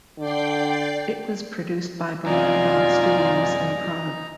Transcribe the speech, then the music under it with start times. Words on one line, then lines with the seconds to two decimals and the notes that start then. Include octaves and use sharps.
It was produced by Barrandov Studios in Prague.
0.18 D3 D5 G5 C7
2.26 F#2 C3 D#4 F4 D5 G#5 A#5